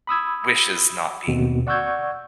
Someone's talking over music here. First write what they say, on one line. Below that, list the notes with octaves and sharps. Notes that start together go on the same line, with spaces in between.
wishes not being,
B5 D#6 E6 G#6
D#2 B2 D3 C4
D5 F#5 C#6 E6 G6 G#6